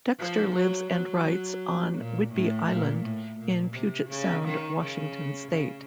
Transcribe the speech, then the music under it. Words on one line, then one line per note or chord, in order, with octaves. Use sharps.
Dexter lives and writes on Whidbey Island in Puget Sound, Washington state.
F3
F#3
F#3
A#2
A2
A#2
A2
A#2
C3
C#3
D#3
C#3
C#3